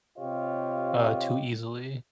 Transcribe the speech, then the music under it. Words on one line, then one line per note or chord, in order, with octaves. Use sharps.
uh, too easily.
C3 F4 G4 C#5 D#5 F5